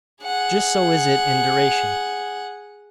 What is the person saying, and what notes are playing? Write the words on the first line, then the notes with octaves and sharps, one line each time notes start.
Just so is it in duration.
G#4 F#5